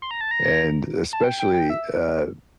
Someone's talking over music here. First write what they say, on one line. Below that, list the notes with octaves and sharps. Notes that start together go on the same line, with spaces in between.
and especially, uh
C6
A#5
A5
A#5
A5
G5
G5
G5
E5